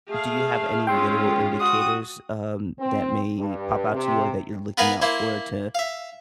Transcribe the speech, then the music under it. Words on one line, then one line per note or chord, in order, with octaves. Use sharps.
do you have any literal indicators, um, that may pop out to you or that you're looking out for to,
A3 G#4 F5
G#3 C4 C#4 F4 G5 C6
F#4 D#6
C4
G2
C3
B3 A#4 B4 F5 G#5 B5
A#3 E4 C5
E5 F5